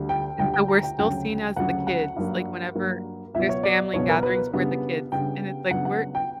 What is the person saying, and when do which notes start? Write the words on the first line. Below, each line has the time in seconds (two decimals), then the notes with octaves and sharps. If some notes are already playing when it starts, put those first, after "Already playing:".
and so we're still seen as the kids, like, whenever there's family gatherings, we're the kids and it's like, we're,
Already playing: D2 D3 G3
0.09 G5
0.38 D2 D3 G3 G5
0.54 G5
0.68 A#5
0.83 G5
0.98 D2 C#3 F#3 C#4 G5
1.56 D2 C#3 F#3 C#4 F#5
1.87 F#5
2.16 G2 F#3 A#3
2.75 G2 F#3 A#3
3.34 C#2 B2 F#3 B3 E5
3.49 C#5
3.63 D5
3.93 C#2 B2 F#3 B3 C#5
4.09 A#4
4.23 B4
4.53 C#3 G3 B3 D4
5.12 C#3 G3 B3 D4 G5
5.71 C#3 F#3 B3 D4 F#5
5.85 F#5
6.15 G5